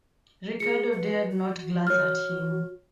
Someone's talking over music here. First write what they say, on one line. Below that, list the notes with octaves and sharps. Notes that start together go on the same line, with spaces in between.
Ricardo dared not glance at him.
G#4 C#7
B4
F#4
F#4 C#5 F6